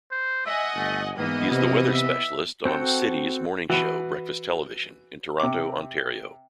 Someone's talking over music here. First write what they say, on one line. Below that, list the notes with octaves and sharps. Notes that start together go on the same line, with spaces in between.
He is the "weather specialist" on City's morning show "Breakfast Television" in Toronto, Ontario.
C5
D#5 E5 F#5 G#5
G1 A3
G#2 E3 A#3 B3 D#5
C3 A#3
E5
C4 F#4 A4 F#5 G5
E3 F#4 B4
C3 D6